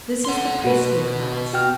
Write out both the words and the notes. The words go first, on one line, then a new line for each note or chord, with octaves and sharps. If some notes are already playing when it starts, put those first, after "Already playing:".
This is the priestly class.
F#5 C6
B2 B3 F#4 B4
F#4 G5 F6